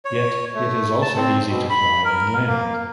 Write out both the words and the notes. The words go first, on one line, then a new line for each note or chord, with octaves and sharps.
Yet it is also easy to fly and land.
C#5
A3
A5
C4
B2
B5
A#4
A#3